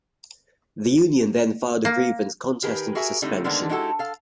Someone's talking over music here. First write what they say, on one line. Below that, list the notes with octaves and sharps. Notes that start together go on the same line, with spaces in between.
The union then filed a grievance contesting the suspension.
A#3
D#3 G4 G#4 A#4 B4
F#4 G#4 A#4 E5 G#5
D3 G3 A3 C4 D#4
D3 D#3 G#3 A#3 B3 D4
G#3 D#4 E4 F#4 G4 A4
A4 F5